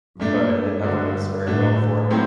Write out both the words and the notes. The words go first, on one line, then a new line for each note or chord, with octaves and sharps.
but it never goes very well for me.
G2 A#2 A3 D4
G2 D3 A3 D4 F#4
A2 D3 A3 D4 F#4
A2 F#3 C4 G4